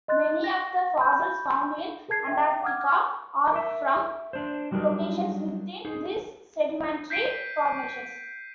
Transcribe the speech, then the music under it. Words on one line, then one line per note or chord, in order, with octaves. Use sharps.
Many of the fossils found in Antarctica are from locations within these sedimentary formations.
D#5 C6 F#6 A6
A#6
B5 C#6 G6
G#4 A#4 A5 G#6 C7
E5 G5
F#5 D6 D#6 F6 G#6
A#4 E5
D4 C5
F#3 G3 D4 D#4 A#4
D#4 G#4
G6 B6 C7 D7 D#7